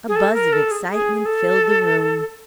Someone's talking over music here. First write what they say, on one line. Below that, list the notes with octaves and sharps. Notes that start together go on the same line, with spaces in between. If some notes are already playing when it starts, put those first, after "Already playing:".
A buzz of excitement filled the room.
G#4
A4
A#4
A4
G#4
G#4
A4